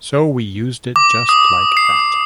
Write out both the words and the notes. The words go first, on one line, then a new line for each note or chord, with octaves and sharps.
So we used it just like that.
D6
D#6
C7